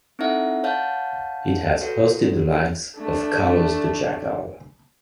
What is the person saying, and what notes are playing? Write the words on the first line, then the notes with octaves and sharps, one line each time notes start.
It has hosted the likes of Carlos the Jackal.
C4 D#4 E4 A4 E5 F#5
C#5 D#5 F5 F#5 A5 G6
F#4 A4 B4 C#5
A3 D4